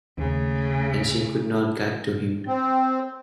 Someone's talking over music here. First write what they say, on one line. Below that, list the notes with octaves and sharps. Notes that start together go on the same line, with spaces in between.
And she could not get to him.
D#2 C#3 A3
C4